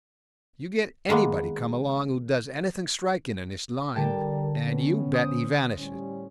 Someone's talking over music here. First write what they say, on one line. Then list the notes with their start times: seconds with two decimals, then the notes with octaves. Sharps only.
You get anybody come along who does anything striking in this line, and, you bet, he vanishes.
1.09 D#3 G#3 A#3 B3
3.96 D3 G3 A#4 G5 A5
4.68 B3 C#4
5.13 C5 D#6 D7
5.78 A2 G3 C#4